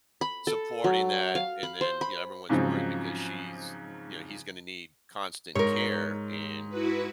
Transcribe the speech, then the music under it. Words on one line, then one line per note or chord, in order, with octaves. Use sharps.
supporting that and then, you know, everyone's worried because she's y you know, he's gonna need constant care and
B5
A4
F#3
F5
B5
C5
B5
G#2 C#3 F3 F#3 C4 D#4
G#2 A#4 C#5
E4 F#4 B4